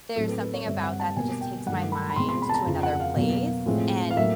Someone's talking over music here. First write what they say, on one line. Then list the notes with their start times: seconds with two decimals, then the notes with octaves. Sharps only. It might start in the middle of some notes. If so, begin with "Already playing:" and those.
there's something about that that just takes my mind to another place and
0.16 A2 F#3 A3 C4 A4
0.28 B4
0.41 B4
0.54 C#5
0.66 G2 D3 G3 C4 E5
0.83 F#5
1.00 A5
1.16 B2 G3 A#3 G#5
1.41 G5
1.66 G2 D#3 F#3 A3 F#5
1.92 B5
2.10 B5
2.16 B2 G#3 C4 C6
2.29 C6
2.42 B5
2.49 A5
2.54 A#5
2.66 F2 C#3 F3
2.83 F#5
3.00 F5
3.16 B2 F#3 A#3
3.66 A2 F3 G#3 C4
4.11 F5
4.16 A2 F#3 A#3 E5